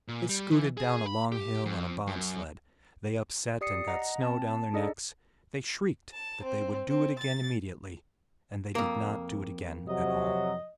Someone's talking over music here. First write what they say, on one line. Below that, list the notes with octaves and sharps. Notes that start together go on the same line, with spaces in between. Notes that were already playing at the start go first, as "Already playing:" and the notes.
They scooted down a long hill on a bob-sled, they upset and got snow down their necks they shrieked that they would do it again immediately--and they did not do it again at all.
A#2
G3
E3
G#4
B5
G4
F2
F#2
G4 D5 D#6 C7 C#7
D#5 F#5 A#5
C4 A5
A5
D4 D#4 G#4 A4 D5 D#5
A5
C4
C4
A6
F2 A#3
C3 F#3 D#5